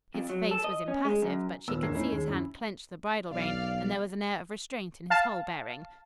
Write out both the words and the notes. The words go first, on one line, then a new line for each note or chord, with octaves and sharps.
His face was impassive, but she could see his hand clench the bridle-rein, and there was an air of restraint in his whole bearing.
F2
F#3
A4
D#5
C#4
G#3
F#2
D#2 A#2 B3 E6
G1 E2 A#3 G#6 C7
A3 C#4 D#4 E4
D#2 G#3
F#2 E4
B1 D5 F5
F5 A5